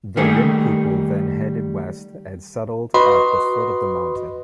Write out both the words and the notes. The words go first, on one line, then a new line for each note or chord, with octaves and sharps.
The Rin people then headed west and settled at the foot of the Mountain.
D#3 G3 A3 A#3 G4 G#4
F#4 B4 D#5 B5 C6